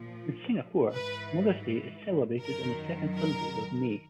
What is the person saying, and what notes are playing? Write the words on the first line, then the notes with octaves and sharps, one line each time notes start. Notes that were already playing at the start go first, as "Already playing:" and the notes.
In Singapore, Mother's Day is celebrated on the second Sunday of May.
Already playing: A#2 F3
G#2 E3 B4
F#2 D#3 F#3 A#4
A#4